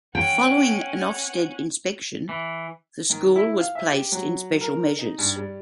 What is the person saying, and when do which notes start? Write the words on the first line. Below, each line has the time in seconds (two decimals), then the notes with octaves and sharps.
Following an Ofsted inspection, the school was placed in "special measures".
0.15 C#4 F#5 G5
2.29 E3
3.10 D#3
3.36 E4
3.58 F5
3.75 E5
3.92 G4
4.12 F#3
4.61 A#4
4.99 D#4
5.19 G2
5.36 G3